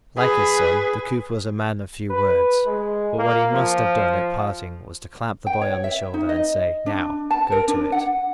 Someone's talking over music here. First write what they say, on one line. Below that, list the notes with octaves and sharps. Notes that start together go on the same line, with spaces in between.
Like his son, the cooper was a man of few words; but what he must have done at parting was to clap the boy on the shoulder, and say: "Now, go to it!"
G#4 B4
B4
G#3
A#3
F3
G5
C#5
E5
D#4
D#5
D4
A5
A#4
D4
F#5